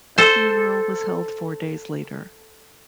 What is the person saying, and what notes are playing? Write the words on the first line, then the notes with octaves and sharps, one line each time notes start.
A funeral was held four days later.
A4 C5